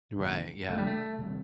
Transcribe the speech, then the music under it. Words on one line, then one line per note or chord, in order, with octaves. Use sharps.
Right, yeah.
C3 D#3 A#3 D4
C3 D#3 A3 A#3 D4
G3
A3
C3 D#3 G3 C4